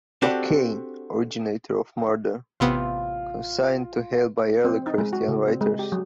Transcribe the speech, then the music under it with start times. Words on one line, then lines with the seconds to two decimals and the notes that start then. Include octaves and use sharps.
Of "Cain", originator of murder, consigned to Hell by early Christian writers.
0.22 C4 D4 F#4 G4 A4
2.60 A1 C3 B3 F4
4.65 C4
4.87 D#4
4.98 G#3
5.13 F#4
5.28 C#3
5.47 C4
5.61 G#3
5.79 G4
5.92 F#3